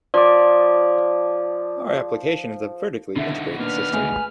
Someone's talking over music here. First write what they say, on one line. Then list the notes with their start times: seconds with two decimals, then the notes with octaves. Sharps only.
Our application is a vertically integrated system.
0.14 F3 D5 D6
3.16 D#2 B2 D3 E4
3.59 A#2 D4 B4 F6
3.93 D2 G#3 G#5